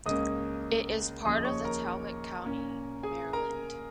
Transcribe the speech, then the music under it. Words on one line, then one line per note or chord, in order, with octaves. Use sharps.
It is part of Talbot County, Maryland.
C#2 C#3 A#3 C#4 D#5 D#6
D#2 C#3 F3 D#5 D#6
C#5 C#6
A#4 A#5
A#2 A#3 C#4
G#4 G#5
A#4 A#5